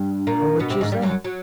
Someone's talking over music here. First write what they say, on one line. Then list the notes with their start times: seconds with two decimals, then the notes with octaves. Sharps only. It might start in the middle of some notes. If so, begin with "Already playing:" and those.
"How much is that?"
Already playing: G2 G3
0.27 A#2 A#3
0.59 B2 B3
0.70 C3 C4
0.81 G#2 G#3
0.92 G2 G3
1.02 F#2 F#3
1.24 F#3